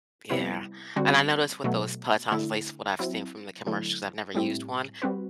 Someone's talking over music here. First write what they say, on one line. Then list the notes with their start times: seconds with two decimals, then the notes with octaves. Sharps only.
Yeah, and I noticed with those pelotons, at least what I've seen from the commercials, I've never used one.
0.30 C3 G3 B3 E4 B4
0.96 D3 G3 C4 F#4
1.64 B2 F#3 A3
2.32 D3 A3 E4
2.99 F#3 C4 E4
3.67 D3 F#3 A3 E4
4.34 A2 G3 C4 E4 G4
5.02 G3 C4 F#4 B4